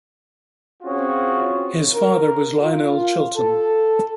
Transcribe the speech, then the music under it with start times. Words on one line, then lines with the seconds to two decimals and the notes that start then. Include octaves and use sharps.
His father was Lyonel Chilton.
0.83 C4 C#4 F4 F#4 G#4
1.93 A#4
2.61 F4
3.37 A4